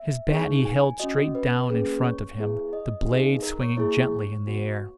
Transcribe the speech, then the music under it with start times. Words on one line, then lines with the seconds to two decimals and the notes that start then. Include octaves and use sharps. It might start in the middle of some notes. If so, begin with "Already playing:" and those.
His bat he held straight down in front of him, the blade swinging gently in the air.
Already playing: E5
0.30 B3 D#4 G#4 C#5
0.65 G#5
1.00 C#4 F#4 D#5
1.35 B4
1.70 A#3 C#4 G#4
2.04 C#5
2.38 B3 E4 G#4
2.73 D#5
3.08 B3 D#4 G#4
3.43 A#4
3.60 C#5
3.77 A#3 E4 G#4 C#5
4.47 B3 F#4